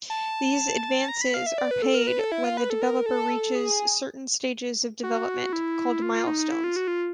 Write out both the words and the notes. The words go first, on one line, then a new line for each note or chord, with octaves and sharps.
These advances are paid when the developer reaches certain stages of development, called milestones.
A5
A#5
B5
F5
E5
D5
B4
A4
A#4
B4
A4
E4
F4
B4
A4
A#4
A4
G#4
F#4
E4
F4
F4
D#4
D#4
E4
F4
F#4
F4